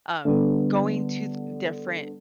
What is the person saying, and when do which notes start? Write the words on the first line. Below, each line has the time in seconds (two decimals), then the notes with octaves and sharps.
um, going to th different
0.25 D3 G3 B3